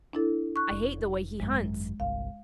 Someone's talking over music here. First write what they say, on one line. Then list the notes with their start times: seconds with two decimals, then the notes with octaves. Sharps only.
I hate the way he hunts!
0.13 D4 E4 A4
0.56 C#6 F#6
0.71 F1
1.40 G#1 F#2 G#3
2.00 G1 C2 F5